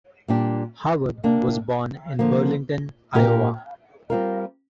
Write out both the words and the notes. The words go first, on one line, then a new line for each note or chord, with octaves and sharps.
Howard was born in Burlington, Iowa.
A#2 G3 D4 G4
C3 A#3 D4
D3 F3 A#3
A#2 A#3 D4 G4 A#4
G3 C4 F4 A#4